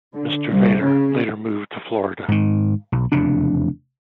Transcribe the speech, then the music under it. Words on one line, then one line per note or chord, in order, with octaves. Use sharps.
Mr. Vader later moved to Florida.
D3
C2
C#3
G#2 D#3
B1
F1 E2 C#3 D4